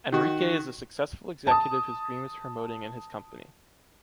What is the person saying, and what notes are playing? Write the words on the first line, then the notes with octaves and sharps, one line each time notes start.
Enrique is a successful executive whose dream is promoting in his company.
D#3 F#4
A5 D#6